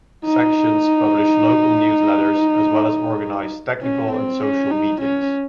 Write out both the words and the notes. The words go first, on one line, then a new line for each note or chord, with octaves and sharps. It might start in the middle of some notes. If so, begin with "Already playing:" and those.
Sections publish local news letters as well as organize technical and social meetings.
D#4
C#4
C4
C#4
D#4
C#4